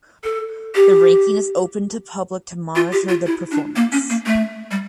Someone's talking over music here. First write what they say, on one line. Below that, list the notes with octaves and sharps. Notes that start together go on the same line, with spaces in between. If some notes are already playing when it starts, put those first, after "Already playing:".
The ranking is open to public to monitor the performance.
A4
G4
F4
G4
F4
E4
D4
A#3
C#4
A#3
A3
G3